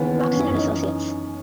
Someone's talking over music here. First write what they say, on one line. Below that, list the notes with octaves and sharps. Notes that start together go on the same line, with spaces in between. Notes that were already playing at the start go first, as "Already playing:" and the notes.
Locsin and Associates.
Already playing: D#2 C#3 E3 B3
F#2 E3 C#4
C#4
D#4